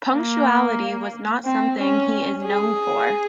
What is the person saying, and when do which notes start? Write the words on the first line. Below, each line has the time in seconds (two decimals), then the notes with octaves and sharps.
Punctuality was not something he is known for.
0.13 A#3
1.45 C4
1.78 C#4
2.44 G#4